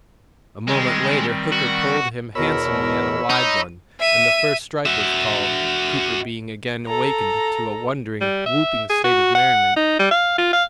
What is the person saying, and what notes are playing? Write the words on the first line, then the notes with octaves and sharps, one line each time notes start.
A moment later Hooker pulled him handsomely on a wide one, and the first strike was called, Cooper being again awakened to a wondering, whooping state of merriment.
D#3 G3 G#3 C4
F#4
E2 B2 A#4 C#5 B5 E6
D#4
E5 D#7
F#4 E5
A4 A#5
G3
E5
G#4
F#4
F#5
D#4
G3
F5
F4
F5